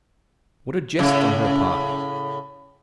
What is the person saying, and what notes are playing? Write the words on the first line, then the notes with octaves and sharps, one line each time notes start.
What a jest on her part!
A2 C#3